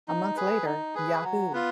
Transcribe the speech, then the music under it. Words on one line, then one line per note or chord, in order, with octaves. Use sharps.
A month later, Yahoo!
D#4
G#4 B4
D#4
G#4 B4
F#3
B3 F4